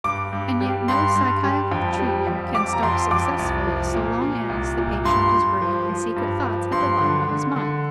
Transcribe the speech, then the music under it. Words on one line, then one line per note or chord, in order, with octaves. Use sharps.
And yet no psychical treatment can start successfully so long as the patient is brooding on secret thoughts at the bottom of his mind.
G2 D6
G2
G3
G2 C6
G2
G3
F2
G3
F2
F2 D6
A#5
F2 C6
F2 D6
C2
F3
A#2
A#2
C2
A#2
G2 C6
G2
F3
F3
G2
F3
G2 C6
D3
D3
D3